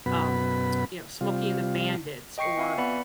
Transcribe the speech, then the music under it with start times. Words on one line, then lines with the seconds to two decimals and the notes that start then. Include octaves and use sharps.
um, you know, Smokey and the Bandits or,
0.06 F#2 B2 B3 B5
1.21 C3 G3 F4
2.38 D#5 G5 C#6 C7 C#7
2.57 C4 F4 E5 F5 G#5
2.78 B3 B4 D5 B5 C#7